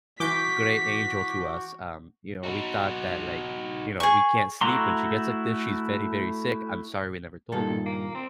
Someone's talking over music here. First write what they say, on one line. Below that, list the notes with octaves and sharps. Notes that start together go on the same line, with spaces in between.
great angel to us." Um, you know, "we thought that like" you know, "we can't sleep when she gets like this. She's very, very sick. I'm sorry we never told you."
E3 F#4 D6 G6 B6
D#4 F#4
G#4 C#6
A3 E4 F#4 A#5 C6
G2 A#2 D#3 A4
A#3
C4